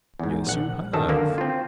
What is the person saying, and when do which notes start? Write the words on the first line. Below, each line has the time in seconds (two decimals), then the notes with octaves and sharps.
"Yes, you have."
0.19 E2 G#2
0.47 A#1 F#5
0.93 F#2 D#3 A4 A5
1.09 D3 A#3
1.38 C4 F4